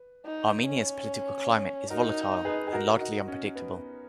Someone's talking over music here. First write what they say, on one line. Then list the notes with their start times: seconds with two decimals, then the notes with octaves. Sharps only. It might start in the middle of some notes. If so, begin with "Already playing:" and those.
Armenia's political climate is volatile and largely unpredictable.
Already playing: B4
0.25 D#4
0.67 C#4
1.90 D#4 F#4 A#4
2.45 G#4 B4
2.67 G#4
2.73 F#4 A#4
3.00 D#4 F#4
3.28 C#4
3.56 B3
3.76 B3